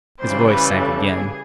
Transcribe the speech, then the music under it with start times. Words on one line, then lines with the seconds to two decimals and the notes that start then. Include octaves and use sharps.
His voice sank again.
0.20 C#3 E3 G3 C5
0.49 B4
0.78 A4
1.06 G#4